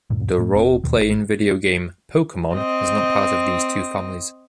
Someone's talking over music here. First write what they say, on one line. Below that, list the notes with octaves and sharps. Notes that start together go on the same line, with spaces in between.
The role-playing video game, Pokémon, is not part of these two families.
D2 G2 A#2
A2 A3
E1 C4
D#2 B2 D#3
G#1
C4 D#5